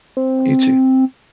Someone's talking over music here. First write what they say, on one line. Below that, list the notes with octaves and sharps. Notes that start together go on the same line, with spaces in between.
You too.
C4